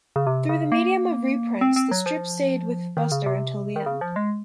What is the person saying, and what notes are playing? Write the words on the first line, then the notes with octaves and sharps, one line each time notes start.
Through the medium of reprints, the strip stayed with Buster until the end.
C#3
C3
C#3
A#3
C4
C4
F#3
F3
D#3
C#3
C3
D#3
C#3
F3
G#3